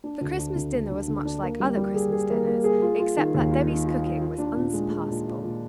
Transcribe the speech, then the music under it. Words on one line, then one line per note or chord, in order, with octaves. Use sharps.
The Christmas dinner was much like other Christmas dinners, except that Debby's cooking was unsurpassable.
D4
D2
D4
D2
D3
D3
D3
D4
A#3
G3
G3
G#4
G#4
A#3
A#3
G#4
F4
F4
D#3
D#2
F4
D#3
F4
F4
F4
D4
A#2
G#3
G#3
A#2
F4
A#2